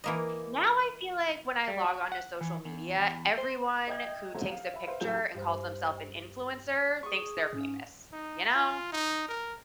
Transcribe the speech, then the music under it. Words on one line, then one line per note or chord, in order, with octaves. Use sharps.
Now I feel like when I log on to social media, everyone who takes a picture and calls themself an influencer thinks they're famous. You know?
E3 A#3 D#5
G3
F#4
F#5
E3
E2
E2
C5
D#5 E5 G5 G6 G#6
C2 F#3 A3 C5 A#5
F5
E5 B5
B4 C5 E5 F5
C2 A2 F#3 G#4 G6 E7
G2 C5
G#4 C#6 D#6
G#2 C#4
D#4
F4
D#4
A#4